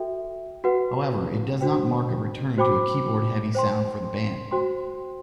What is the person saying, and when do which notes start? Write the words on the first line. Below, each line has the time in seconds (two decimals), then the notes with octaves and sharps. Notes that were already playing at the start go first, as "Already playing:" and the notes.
However, it does not mark a return to a keyboard-heavy sound for the band.
Already playing: F#4 A4 E5 G5
0.64 F#4 B4 F#5
1.61 D4 F#4 C5 G5
2.58 F#4 C5 G5 B5 D6
3.55 C5 G5 C6
4.51 F#4 C5 G5 C6